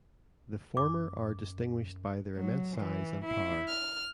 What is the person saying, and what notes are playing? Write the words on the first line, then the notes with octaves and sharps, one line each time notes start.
The former are distinguished by their immense size and power.
F#2 D6
F#3
E3
E4
F6